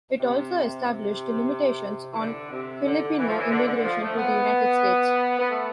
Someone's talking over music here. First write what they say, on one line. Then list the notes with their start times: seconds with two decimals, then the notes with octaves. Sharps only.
It also established limitations on Filipino immigration to the United States.
0.19 C3
2.13 E3
2.19 D3
2.51 C3
2.85 D3
3.18 E3
3.28 F3
3.38 E3
3.51 D3
3.68 D3
3.84 F3
4.01 A3
4.17 B3
5.39 B3
5.49 A3